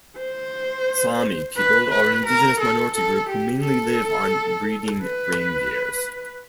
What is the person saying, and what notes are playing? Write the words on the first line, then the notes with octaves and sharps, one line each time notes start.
Sami people are an indigenous minority group who mainly live on breeding reindeers.
C5
B4
B4
A#4
A4
A4
G4
A4
B4